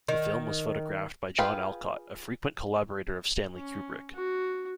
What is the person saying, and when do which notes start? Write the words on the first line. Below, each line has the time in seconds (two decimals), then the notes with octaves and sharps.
The film was photographed by John Alcott, a frequent collaborator of Stanley Kubrick.
0.08 D#3
1.39 F4 G#4 B4 F5 G5
3.54 C#4
4.14 F#4